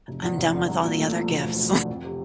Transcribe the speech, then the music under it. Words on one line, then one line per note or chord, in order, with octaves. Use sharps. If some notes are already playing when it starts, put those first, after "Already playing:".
I'm done with all the other gifts."
F1
E2
F1
D3
C2
A#2
A3
F3
E1
D2
F3
D3
F2
C3